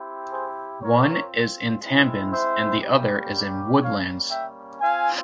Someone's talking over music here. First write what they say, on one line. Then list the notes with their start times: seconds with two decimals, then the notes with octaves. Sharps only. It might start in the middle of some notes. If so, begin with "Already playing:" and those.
One is in Tampines and the other is in Woodlands.
Already playing: C4 E4 G4
0.32 G#4 C5
0.82 C4 F4 A#4 C#5
1.81 G#3 C4 E4
2.31 C5 E5
2.81 G3 A#3 C#4 G4
3.81 G3 A#3 C#4 C#5 F5
4.31 E5 G5
4.80 C4 F4 F5 G#5